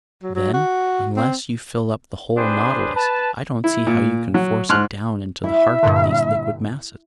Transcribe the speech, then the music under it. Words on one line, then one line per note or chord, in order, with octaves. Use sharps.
"Then unless you fill up the whole Nautilus, I don't see how you can force it down into the heart of these liquid masses."
F#3
F#3
F#4
C4
C4 D4 G4 G#4 B4 C5
B4 A5
E4
A#2
F#3
G#2 C6 F6 F#6
E4 E5
G2 A#2 D3